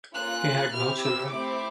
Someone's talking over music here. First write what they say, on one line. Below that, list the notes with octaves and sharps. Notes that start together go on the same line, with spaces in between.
He had no children.
A#3 C#4 F4 A4 F#6
C4 E4 G4 F6
E6
A3 C4 E4 G4 D6